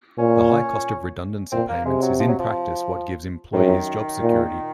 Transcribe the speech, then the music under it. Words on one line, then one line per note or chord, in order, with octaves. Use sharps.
The high cost of redundancy payments is in practice what gives employees job security.
A#2 C#4
A#2 C4
A#3
C3 G#3
F#3
F3
F#3
F3
F#2 D#3
A#2